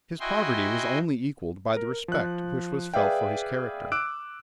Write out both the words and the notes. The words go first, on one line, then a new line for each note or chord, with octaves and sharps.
His poverty was only equalled by the respect which was felt for his character.
E4 F#4 D#5 G5 G#5 C6
A#4
F3 F#6
G#4 B4 D5 E5 F5 G5
D6 E6 F#6 D7